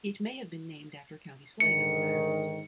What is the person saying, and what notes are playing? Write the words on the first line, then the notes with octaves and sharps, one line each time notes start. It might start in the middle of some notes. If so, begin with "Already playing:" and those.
It may have been named after County Sligo in Ireland.
G#2 D3 D#3 C#7